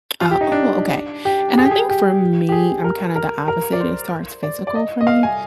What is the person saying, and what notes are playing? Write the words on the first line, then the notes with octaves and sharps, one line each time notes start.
Oh, oh, okay. And I think for me, I'm kinda the opposite. It starts physical for me.
F4
G4
D#4
D4
G4
G#4
G4
G#4
G4
G4
G#4
A#4
A#4
A#4
D5
C5
D5
D5
D#5
D#5
F5
G#5